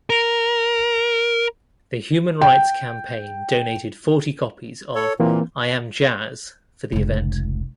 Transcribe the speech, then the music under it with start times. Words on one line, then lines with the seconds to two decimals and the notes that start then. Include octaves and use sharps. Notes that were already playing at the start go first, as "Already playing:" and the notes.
The Human Rights Campaign donated forty copies of "I Am Jazz" for the event.
0.10 A#4
2.42 G5
4.95 A4 C#5
5.20 A#2 E3 A#3 C4
6.92 F1 C#2